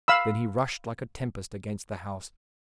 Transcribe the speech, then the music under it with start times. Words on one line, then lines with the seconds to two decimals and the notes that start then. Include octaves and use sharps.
Then he rushed like a tempest against the house.
0.08 F5 B5 E6